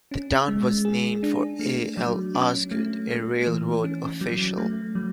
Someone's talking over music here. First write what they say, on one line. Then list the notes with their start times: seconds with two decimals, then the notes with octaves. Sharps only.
The town was named for A. L. Osgood, a railroad official.
0.11 C#4
0.48 G#3
0.85 G#4
1.23 D4
1.59 A3
1.97 F#3
2.35 C#4
2.71 A3
3.09 A3
3.46 E3
3.84 C#4
4.21 F#3
4.58 A3
4.95 F#3